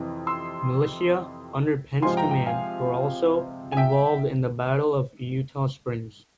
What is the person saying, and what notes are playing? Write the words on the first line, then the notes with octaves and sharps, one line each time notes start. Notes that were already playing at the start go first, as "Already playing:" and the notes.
Militia under Penn's command were also involved in the Battle of Eutaw Springs.
Already playing: F2 C3 E3
C6 E6
C3 F3 G#3 C4 F4 G#5 C6
G5 A#5
G5 A#5
F5 G#5
G#5
E5 G5